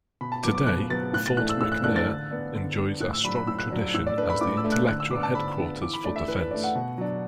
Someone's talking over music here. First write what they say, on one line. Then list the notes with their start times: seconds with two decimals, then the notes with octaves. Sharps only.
Today, Fort McNair enjoys a strong tradition as the intellectual headquarters for defense.
0.21 B2 B5
0.32 A5
0.43 F#3 B3 D6
0.55 D6
0.67 B2 F#6
0.90 F#3 B3 A6
1.13 A2 F#6
1.26 A6
1.37 E3 A3 D4 F#6
1.49 E6
1.61 A2 E6
1.72 F#6
1.84 E3 A3 D4 F#6
1.96 A6
2.07 D3
2.31 B3 D4
2.55 D3
2.78 B3 D4
3.00 A2 F#6
3.13 E6
3.24 F#3 D4 B5
3.36 B5
3.47 A2 E6
3.59 F#6
3.71 F#3 D4
3.94 A2 E6
4.07 D5
4.17 A3 D4 B4
4.30 B5
4.41 A2 D6
4.57 E6
4.64 A3 D4
4.72 F#6
4.87 D3 F#6
5.00 E6
5.11 B3 D4 D6
5.23 A5
5.35 D3 B5
5.57 B3 D4
5.81 E3 D6
5.94 B5
6.04 A3 D4 D5
6.16 E5
6.28 E3 B4
6.39 B4
6.51 A3 D4 D5
6.64 F#5
6.75 B2
6.98 F#3 D4